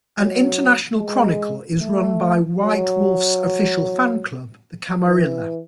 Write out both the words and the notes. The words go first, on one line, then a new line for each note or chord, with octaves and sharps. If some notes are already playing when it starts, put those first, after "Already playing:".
An international chronicle is run by White Wolf's official fan club, the "Camarilla".
F#3
G#3
A3
F#3
E3